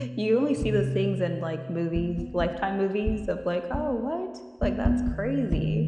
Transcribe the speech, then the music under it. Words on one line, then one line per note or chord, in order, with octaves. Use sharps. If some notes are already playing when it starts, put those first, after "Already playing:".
you only see those things in, like, movies, Lifetime movies of, like, "Oh, what? Like, that's crazy."
Already playing: B2
C3
A3
B3
C4
C4
B3
B3
B3
D#3
D#3